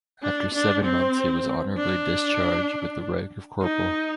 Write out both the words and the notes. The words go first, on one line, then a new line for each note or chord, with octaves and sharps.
After seven months he was honorably discharged with the rank of corporal.
D4
D4
C4
D4
D#4